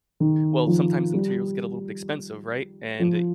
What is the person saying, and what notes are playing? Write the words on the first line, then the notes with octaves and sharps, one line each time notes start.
well, sometimes the materials get a little bit expensive, right? And eh
D#3
F3
G3
F3